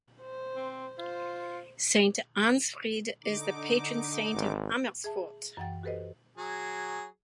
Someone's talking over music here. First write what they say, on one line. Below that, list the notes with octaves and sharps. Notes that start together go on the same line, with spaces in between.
Saint Ansfried is the patron saint of Amersfoort.
C5
C4
F4 C5
D3 D#4 D6
G#1
G#4 E5 A5
F#2 E3 F#5 G5 A6
F#4 G4 A4 B4 C5 D#5
F#3 G#4